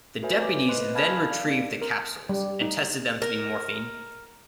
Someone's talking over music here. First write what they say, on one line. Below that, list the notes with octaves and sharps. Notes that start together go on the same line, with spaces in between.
The deputies then retrieved the capsules and tested them to be morphine.
F#4 A4 B4 C#5 E5 G#5
G#5 D6
B4 C5 D#5 C6 F#6
F5 G#5 A5 B5 F6 G#6
D5 F5
B3 D#4
A#4
G3
D#4
A#4